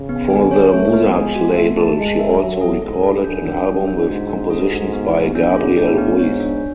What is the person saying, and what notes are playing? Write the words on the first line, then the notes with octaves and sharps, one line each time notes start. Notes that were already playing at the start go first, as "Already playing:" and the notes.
For the Musart label she also recorded an album with compositions by Gabriel Ruiz.
Already playing: C#3
B3
D3 G#5
C#5
A3 C#5
B3
G#3 G#5
F#4
A3 E5
A5
G#3 A5
E5
F#3 E5
A4
G#2 A4
A4
F#2 D4
D4
A4
D4
G#2 F#4
D4
A4
F#4
B3
B3
F#2 D4
G#4
A2 D4
B3
G#2 C#5
D4